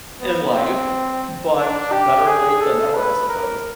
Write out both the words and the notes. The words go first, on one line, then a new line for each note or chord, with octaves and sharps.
in life, but better late than never, I suppose.
B3
C4
D4
G4
G#4
A4
B4
A#4